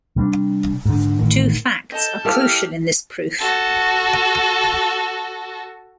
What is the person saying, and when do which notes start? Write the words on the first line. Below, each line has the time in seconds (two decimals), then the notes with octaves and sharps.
Two facts are crucial in this proof.
0.16 C3 G3 A#3 D4
0.86 G#2 D3
1.19 A1 A2 D#3
1.92 A4 D#5 A5 G6
2.25 E4 G4 A4 A#4 D5 F5 F6
3.39 F#4 A4